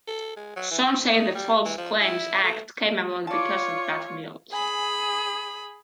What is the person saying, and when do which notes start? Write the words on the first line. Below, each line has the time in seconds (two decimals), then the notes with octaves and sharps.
Some say the False Claims Act came about because of bad mules.
0.08 A4
0.36 G#3
0.56 F#3
0.71 E3
0.86 C4
1.13 D#4
1.35 G3
1.65 E3
1.78 F3
2.01 E4
2.43 A3
3.27 F4 C#5 D5 A5
4.53 G#4 G#5 B5